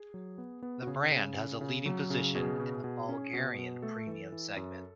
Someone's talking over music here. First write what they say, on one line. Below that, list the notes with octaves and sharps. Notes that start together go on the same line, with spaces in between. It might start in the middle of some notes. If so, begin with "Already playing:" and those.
The brand has a leading position in the Bulgarian premium segment.
Already playing: G#4
F#3
B3
B3
F#4
C#3 G#4
C#3
C#3
C#3
F#3
C#3
B2 G#4
B2
B2
C#4
B2
B2
A3 A4
E3
E3
F#2